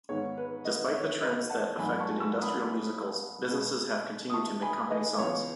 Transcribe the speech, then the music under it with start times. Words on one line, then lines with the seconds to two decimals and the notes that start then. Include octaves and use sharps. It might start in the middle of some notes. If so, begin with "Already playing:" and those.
Despite the trends that affected industrial musicals, businesses have continued to make company songs.
0.09 G#2 D#3 G#3 B3 C#5
0.37 B4
0.65 B4 D#5
0.93 C#5 E5
1.22 B4 D#5
1.50 F#5 A5
1.78 G#2 F#3 A3 G#5 B5
2.00 A5 C#6
2.20 C#6 E6
2.42 B5 D#6
3.48 B2 G#3 B3
4.30 D#6
4.33 A5 C#6
4.62 G#5 B5
4.90 B4 D#5
5.18 C#2 C#3 E3 B3 C#5